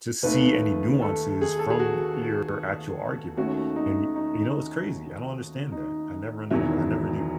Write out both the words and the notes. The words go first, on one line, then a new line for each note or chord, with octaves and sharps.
to see any nuances from your actual argument. And, yo you know, it's crazy, I don't understand that. I never under d I never do,
D#2 D#3 A3 B4
A4
G#4
A4
G#4
F#4
D#2 D#3 A3 C#4 F#4
D#4
D#4
D#4
E1 E2 D#3 F#3 E4